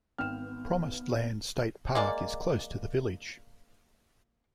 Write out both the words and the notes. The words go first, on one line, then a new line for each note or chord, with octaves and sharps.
Promised Land State Park is close to the village.
G#1 B3 G5 F6 E7
G#3 A#3 D5